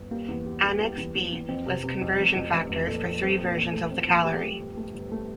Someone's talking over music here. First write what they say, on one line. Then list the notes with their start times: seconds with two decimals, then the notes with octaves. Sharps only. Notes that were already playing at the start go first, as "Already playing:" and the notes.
Annex B lists conversion factors for three versions of the calorie.
Already playing: G1
0.11 G3 A#3
0.28 E2
0.46 G3
0.64 G3
0.80 G3
0.97 E2
1.15 E2
1.32 E2
1.49 F2 C4
1.66 C3
1.84 C3
2.01 F2
2.18 F1
2.36 F2
2.53 F1
2.70 F1
2.87 A#2 A4
3.04 A#1
3.22 C4
3.39 A#2
3.56 A#1
3.73 A3
3.91 C4
4.08 A#1
4.25 A3 G4
4.43 A3
4.60 G1
4.77 A3
4.94 G1
5.12 A3